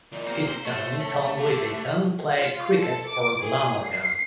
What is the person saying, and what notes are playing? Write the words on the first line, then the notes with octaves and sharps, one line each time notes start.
His son Tom Whittington played cricket for Glamorgan.
A#2 E3 D#4
C3 A#3 C5
A3 C#5
C#4
D3 G4
F4
A4
D6
G#4
C7